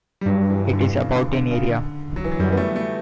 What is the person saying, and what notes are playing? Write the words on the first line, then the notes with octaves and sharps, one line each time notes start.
It is about in area.
G3
G2 F#3
E3
D3
C#3
D3
D3
C#3
D3
F#3
E3
F#3
F#2 G3
B3
A3
A3